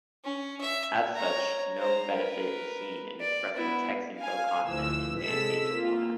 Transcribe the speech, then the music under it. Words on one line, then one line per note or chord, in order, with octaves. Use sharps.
As such, no benefit is seen in expressing Texinfo content in man page format.
C#4
E5
C#5 A#5
C5 A#5
A#4 B4
D5
B3 E4
F5 G#5
D2 E3 F3 E6
C3 G#3 A4 E6 B6
A#3 F4